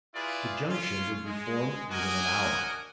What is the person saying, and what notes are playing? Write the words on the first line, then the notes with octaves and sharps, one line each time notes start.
The junction would be formed within an hour.
E4 F4 G#4 B4 D5
C#4 F4
G#3
D4 F#4 A#4 D#5 G#5